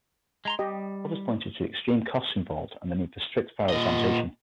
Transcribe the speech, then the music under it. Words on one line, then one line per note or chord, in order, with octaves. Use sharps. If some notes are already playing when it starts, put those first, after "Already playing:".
Others pointed to the extreme costs involved and the need for strict prioritisation.
G#3 A#5 C6
G3 G4 D#5
A#2 D#5